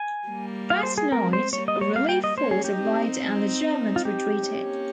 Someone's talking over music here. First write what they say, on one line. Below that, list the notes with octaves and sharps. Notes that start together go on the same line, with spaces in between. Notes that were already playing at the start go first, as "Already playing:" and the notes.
That night, a relief force arrived and the Germans retreated.
Already playing: G#5
G3 A#3
F5
C5
G#4
G#3 C4 A#4
C5
G3 A#3 C#5
D#5
C#5
F5
G5
D#5
A#3 C#4 C5
G#4
G4
C4 D#4
F4
G4
A#3 C#4